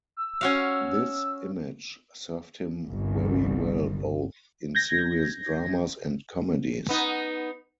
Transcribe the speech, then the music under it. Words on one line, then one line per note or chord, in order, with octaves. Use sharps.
This image served him very well both in serious dramas and comedies.
E6
C#4 F#4 F5
G1 C2
G6 G#6 A#6
B3 D#4